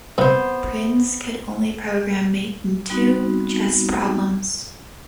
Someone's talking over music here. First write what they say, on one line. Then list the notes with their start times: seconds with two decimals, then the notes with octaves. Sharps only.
Prinz could only program mate-in-two chess problems.
0.18 G2 C3 B3 C5
2.90 G3 B3 C4 D#4 F#4